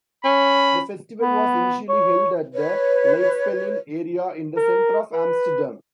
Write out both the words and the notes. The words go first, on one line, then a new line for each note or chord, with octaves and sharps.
The festival was initially held at the Leidseplein area in the centre of Amsterdam.
C#4 B5
B3
C#5
B4 C#5
A#4
B4